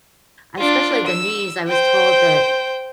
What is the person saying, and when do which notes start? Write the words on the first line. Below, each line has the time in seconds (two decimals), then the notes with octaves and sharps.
Especially the knees, I was told that
0.58 D4 F4
1.07 E6
1.68 C5 G5